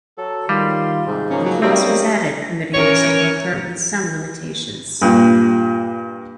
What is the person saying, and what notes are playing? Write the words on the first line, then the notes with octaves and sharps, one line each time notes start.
A clause was added permitting this to occur with some limitations.
F#3 A4
D#3 G3 F4 C6
G#2 C3
C#3 F3 A#3 C#4
F#3
D#3 G3 A#3 C4 C#4 D#6
E3 C#4 A#4 C#5
G2 A#2